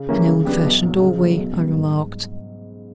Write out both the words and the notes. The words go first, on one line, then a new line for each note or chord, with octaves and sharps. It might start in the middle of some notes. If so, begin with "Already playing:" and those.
"An old-fashioned doorway," I remarked.
Already playing: C#3
E3 G3 A#3 C#4
C#3
F#3 B3 D4 G4
B1
A#2 F#3
C#3
F#3 A3
B2
G3 B3
G#2